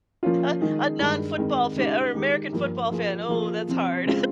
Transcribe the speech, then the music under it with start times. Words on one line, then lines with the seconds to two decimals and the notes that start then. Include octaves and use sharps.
a a non football fan or American football fan, oh that's hard.
0.23 F3 A#3 C#4 F4
0.61 D#3 G#3 D#4 G#4
0.99 G2 D#3 G#3
1.38 F2 D#3 G#3
1.76 C#3 G#3 D#4 G4
2.14 D#3 G#3 D#4 G4
2.53 G2 F3 A#3
2.91 F3 A#3 F4 G#4
3.28 F3 A#3 F4 G#4
3.68 C3 F3 C4
4.05 C#3 G#3 C4 F4